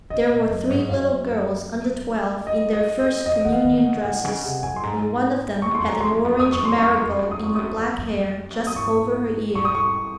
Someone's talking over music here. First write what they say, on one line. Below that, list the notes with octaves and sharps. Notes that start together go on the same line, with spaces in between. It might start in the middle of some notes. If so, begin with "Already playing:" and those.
There were three little girls under twelve, in their first communion dresses, and one of them had an orange marigold in her black hair, just over her ear.
C#3 D#5
A#2
F#2
G#2
F#2 F5
D#5
D#5
D#5
F2 D#5
D#3 F#5
F5
D#3
F#5
C#3
G#2 F#5
C#3 G#5
C3 F#5
F#2 G#5
C6
G#2 A#5
F2 C#6
F#2
F2 C6
F#2 A#5
F2 C6
F#2
F2
F#2
F2
F#2 D#6
F2 C#6
F#2
F2 C6
F#2 C#6
F2
F#2
F2
F#2
D#6
F2 C#6
F#2 D#6
F2
F#2
F2
F#2
D#6
G#2 C#6
G#2 C#6
D#6
C#6